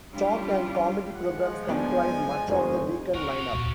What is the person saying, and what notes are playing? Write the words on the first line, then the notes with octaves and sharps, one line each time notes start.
Talk and comedy programs comprise much of the weekend line-up.
G3 C#4 D4 E4 F4 G4
F3 G#3 F#5
F#3 B3 D4 G#5
F1 F#2 F#4 G#4 C5
B1 C4 F#4 A#4
C#5 F5
D#2 A#2